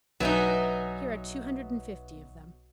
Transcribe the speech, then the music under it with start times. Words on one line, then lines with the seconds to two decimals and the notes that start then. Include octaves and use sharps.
"Here are two hundred and fifty of them."
0.20 B1 F#3 B3 D#4 E5 G#5